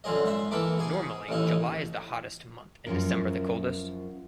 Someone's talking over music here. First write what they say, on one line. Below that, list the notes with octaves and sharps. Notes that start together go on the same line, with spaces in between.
Normally July is the hottest month and December the coldest.
F#2 D3 F3 C4 G#4 D#5
G#2 C5 E5
E3 A#3 A4 B5 D6
B2 G#4 G#5
A1 D#2 D#4 E4
F#2 F3 C#4 A#4